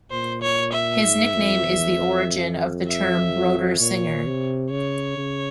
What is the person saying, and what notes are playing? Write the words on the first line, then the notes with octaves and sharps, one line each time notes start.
His nickname is the origin of the term "Broder singer".
A#2 C5
C#5
E5
G#2
F2
E2
F2
E5
A#2 C#5
C3
C#3 C#5
C#3